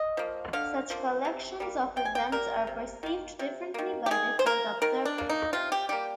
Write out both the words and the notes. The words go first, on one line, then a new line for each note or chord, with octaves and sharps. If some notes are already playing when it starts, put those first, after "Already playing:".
Such collections of events are perceived differently by different observers.
Already playing: D#5
F3 A#3
D3 F5
F3 A#3
C3
G3 A#3
C3 G5
G#5
G5
G3 A#3 A#4
C3
D#3 A#3
C3
D#3 A#3
G4
D#3 G#4
C5
A#3 A#4
D#3 A#4
D4
A#3
D#4
C3 F4
G4
G3 A#3 G4